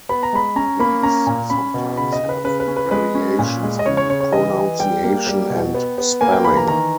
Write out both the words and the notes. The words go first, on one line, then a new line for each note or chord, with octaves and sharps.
These sometimes have variations in pronunciation and spelling.
B3 B5
A#5
G#3 B5
C#4 A#5
A#3 B5
C#4 A#5
A#2
C#4 B5
B2
C#3 B5
D#5
C#3
B4
C#3 B4
B4
C#4
B4
G#3 B4
C#4
A#2
G#3
D#5
C#3 C#5
C#5
C#3 C#5
C#5
E3 D#5
E3
G3 G5
A#3
G3
B2
B3
B3
A#3 G#5
G5
E3 B5
A#5
D#3 A#5